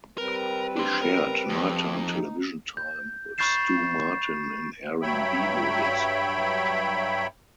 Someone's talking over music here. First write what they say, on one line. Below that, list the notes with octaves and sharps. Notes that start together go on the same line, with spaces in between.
He shared night-time television time with Stu Martin in airing B movies.
G3 C4 A#4 B4
D4 C6
A#4
F2
D#4
G6
B5 C#6 G6 A6 C7 E7
G2 F#3 C#5 E5 G5 B5